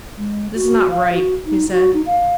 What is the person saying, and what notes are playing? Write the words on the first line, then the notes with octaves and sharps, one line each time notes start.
"This is not right," he said.
G#3
F#4
F5
F#4
D#4
F#4
D#4
F5